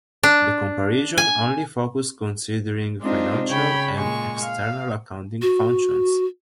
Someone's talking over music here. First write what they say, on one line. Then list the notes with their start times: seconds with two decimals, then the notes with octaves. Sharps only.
The comparison only focus considering financial and external accounting functions.
0.23 D4
1.18 G#5
3.00 G#3 C4 D4 D#4 F4 C5
3.48 C#3 C#5 G5 B5
3.96 A#2 G#3 C#6
4.41 F5
5.42 F#4